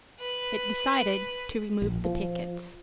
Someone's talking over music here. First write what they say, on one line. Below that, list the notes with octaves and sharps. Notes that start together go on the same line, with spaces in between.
It decided to remove the pickets.
B4
A#1
F3